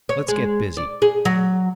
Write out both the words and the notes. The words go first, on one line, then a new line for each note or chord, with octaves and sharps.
Let's get busy.
C#5
G#3
D5
G#4
F#3